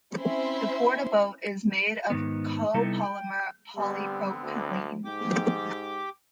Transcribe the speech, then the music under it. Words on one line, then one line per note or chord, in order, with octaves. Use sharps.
The Porta-Bote is made of copolymer polypropylene.
C4 C#4 E4 C5 E5 C6
G#2 D#3 B3
C3 G3 B3 D#4 E4 A4
G5
D3 G3 B3 C4
D2
G#2 G4 G5 D6